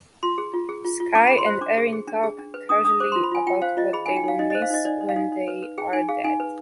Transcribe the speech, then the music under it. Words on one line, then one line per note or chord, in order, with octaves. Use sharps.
Sky and Erin talk casually about what they will miss when they are dead.
F4 C6
G#4
F4
G#4
F4
F4
D4 D6
G#4 B5
C6
C5
D4 D6
G#4
G#4
D4
G#4
D4
B4
D4 D#6
D4 D#6
C5 D6
C6
F4
B5
F4 G#5
F4 G5
C5 F5
F4 D#5
G#4 B5
D#4 G#5
G5
D#4 F5
D#4 D#5
D#5
C5
F5
D#4 D#5
D#4 D5
D#4
F5
D#4
D#4
B4
B4
G#4 G5
D#4 G#5
G#4 F5
D#4 G#5
B4